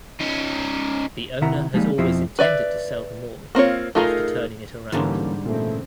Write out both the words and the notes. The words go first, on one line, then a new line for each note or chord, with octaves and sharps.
The owner has always intended to sell the mall after turning it around.
C#4 D#4
C3 D#3 E4 E5 F#5 A#5
F3 G3 G#3 A#3 D#4
F2 B2 F3 C4 E4
B4 D5 E5
A#3 C4 F4 C#5
A3 D#4 F4 G#4 A#4
G#2 D3 E3 G3 A#3 C#4 D4
A#2 C#3 E3 A3 C4